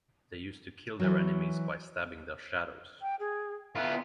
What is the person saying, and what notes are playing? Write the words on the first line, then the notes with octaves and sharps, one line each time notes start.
They used to kill their enemies by stabbing their shadows.
E3 F#3
G5
G#4
B3 F4 E5